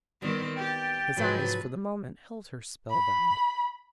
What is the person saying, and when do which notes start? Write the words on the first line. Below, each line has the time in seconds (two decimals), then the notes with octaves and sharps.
His eyes for the moment held her spellbound.
0.22 D#3 G3 B3 C4 G4
0.57 G4 G5 A6
1.16 G#2 C3 F3 F#3 B4
2.89 B5